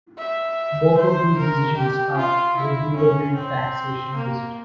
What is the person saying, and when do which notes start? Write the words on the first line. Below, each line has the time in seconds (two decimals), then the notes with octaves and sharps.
Both of these decisions are reviewable taxation decisions.
0.18 E5
0.97 C5
1.37 A#4
1.77 G4
2.16 F4
2.56 E4
2.96 C#4
3.35 C4
4.14 A#3